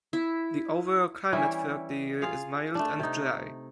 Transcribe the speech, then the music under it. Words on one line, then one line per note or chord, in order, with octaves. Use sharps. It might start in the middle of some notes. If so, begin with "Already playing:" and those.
The overall climate throughout the year is mild and dry.
E4
E3 G3 C#4 E4
F4 G#4 F5
A3 D4
C3 D#4